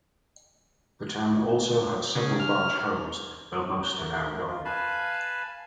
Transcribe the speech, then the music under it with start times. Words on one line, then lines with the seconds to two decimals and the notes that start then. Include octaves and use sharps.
The town also had several large homes, though most are now gone.
2.15 C#3
2.40 F6
3.97 A3 A#4
4.47 F4
4.65 B4 F5 G#5 A5 B5